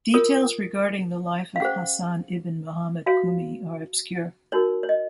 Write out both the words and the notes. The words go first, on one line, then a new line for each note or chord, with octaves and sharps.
Details regarding the life of Hasan ibn Muhammad Qumi are obscure.
F4 A#4 C#5 D#6
F5
C#4 G#4 C5 F#5
F#4 C#5 F5
D#4 F#4 A#4 C#5
C#5
D#5